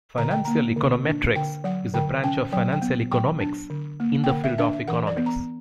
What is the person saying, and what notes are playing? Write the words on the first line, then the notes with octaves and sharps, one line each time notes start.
Financial econometrics is a branch of financial economics, in the field of economics.
D3 A#5
G5
A#3 A#5
D3
D4
D3 G5
F#3 F#5
D3 G5
C#4 G5
F#3 G5
G5
B3
F#3 G5
D4
D3
A#3
G5
D3 F#5
E5
D4 E5
E5
E3 F#5
D5
B3
A#5